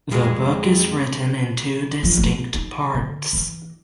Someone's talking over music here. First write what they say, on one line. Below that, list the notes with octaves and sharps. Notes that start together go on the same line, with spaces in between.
The book is written in two distinct parts.
F2 G#3
F3
A3 B3
D#4
D3
E3